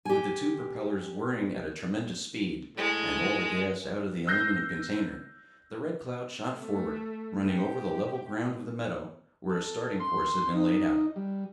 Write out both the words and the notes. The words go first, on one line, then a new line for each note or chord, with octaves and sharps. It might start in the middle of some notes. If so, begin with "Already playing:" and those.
With the two propellers whirring at a tremendous speed, and all the gas out of the aluminum container, the Red Cloud shot forward, running over the level ground of the meadow, where a starting course had been laid out.
G4 G#5
A2 G#3
E6 F#6 G6 A#6 C7
A3
G4
A4
C6
D#4
G3